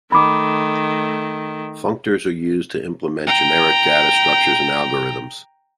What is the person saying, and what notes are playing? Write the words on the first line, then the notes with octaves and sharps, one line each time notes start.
Functors are used to implement generic data structures and algorithms.
D#3 A3 B5 D6
G5 A#5